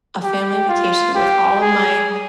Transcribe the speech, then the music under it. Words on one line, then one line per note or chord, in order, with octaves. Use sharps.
a family vacation with all of my
G4
F4
G4
G#4